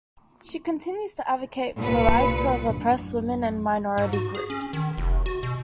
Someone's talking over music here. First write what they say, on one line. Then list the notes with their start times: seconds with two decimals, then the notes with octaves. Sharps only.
She continues to advocate for the rights of oppressed women and minority groups.
1.79 C2 A#2 B4 C#7
2.70 A1 F#2 D4
3.98 G#2
4.13 F#4
4.35 G#4
4.50 C#4
4.73 D#3
4.97 F1
5.26 F#4
5.43 B2